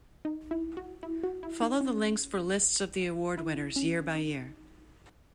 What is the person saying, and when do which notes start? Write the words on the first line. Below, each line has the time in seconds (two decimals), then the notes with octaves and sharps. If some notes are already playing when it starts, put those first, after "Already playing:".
Follow the links for lists of the award winners, year by year.
0.25 D#4
0.51 E4
0.77 F#4
1.03 E4
1.23 F#4
1.43 E4
1.62 D#4
1.81 C#4
3.38 E4
3.76 C#4
4.15 D#4